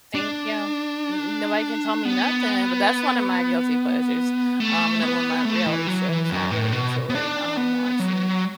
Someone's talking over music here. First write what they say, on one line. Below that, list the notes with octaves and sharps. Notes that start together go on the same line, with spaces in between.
Thank you, n nobody can tell me nothing, but that's one of my guilty pleasures, um, another one of my reality shows that I really enjoy, um, watching.
D4
B3
A3
B3
A3
E3
F#3
E3
F#2
A2
B2
B3
D4
B3
F#3